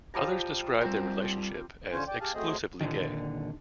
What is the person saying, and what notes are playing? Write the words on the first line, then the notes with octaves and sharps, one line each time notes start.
Others described their relationship as "exclusively gay".
F3 G3 A#5
G3 C4 A#4
D3 C#4 F4 C5 G#5
D5 G5
G4 G#4 F5 G#5 A5
F#3 A3 C4 G#4 C5 D#5
A#2 D3 D#3